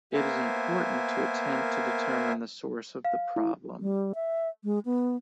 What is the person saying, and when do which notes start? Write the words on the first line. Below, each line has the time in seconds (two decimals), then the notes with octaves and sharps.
It is important to attempt to determine the source of the problem.
0.13 A#3 B3 A#4 C5 E5 G#5
3.05 F5
3.36 E4
3.81 G3
4.15 E5
4.64 G#3
4.85 B3